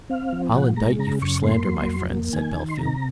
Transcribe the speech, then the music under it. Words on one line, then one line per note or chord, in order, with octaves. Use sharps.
"I'll indict you for slander, my friend," said Bellfield.
C4 F5
F3
A#2 F#5
G#3 A#5
C#3 A#5
F#2 C#6
A#3 C6
F#3
F2
A#3
D#3 G#5
D#3
C6
C3 A#5